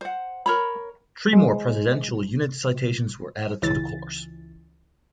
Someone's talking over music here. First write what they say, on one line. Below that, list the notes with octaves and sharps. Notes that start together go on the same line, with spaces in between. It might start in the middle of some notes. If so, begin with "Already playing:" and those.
Three more Presidential Unit Citations were added to the colors.
C5 F#5
A#4 C#5 B5
G#3
C#2 E3 A6